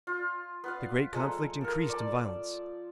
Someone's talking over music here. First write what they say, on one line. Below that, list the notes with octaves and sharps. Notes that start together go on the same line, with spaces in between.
The great conflict increased in violence.
F4
B3 F4 F5
F3 G#3 A4 A#5
A4 A#4
D5 A5